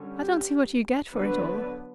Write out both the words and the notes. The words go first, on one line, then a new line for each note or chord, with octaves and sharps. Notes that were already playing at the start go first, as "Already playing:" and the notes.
"I don't see what you get for it all."
Already playing: D3 G3 C#4
G4
D3 F#3 B3 D4 B4